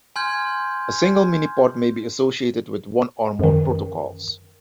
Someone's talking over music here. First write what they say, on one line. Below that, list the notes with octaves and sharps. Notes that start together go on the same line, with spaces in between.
A single miniport may be associated with one or more protocols.
G#5 C6 F6 G6 G#6
F#2 D#3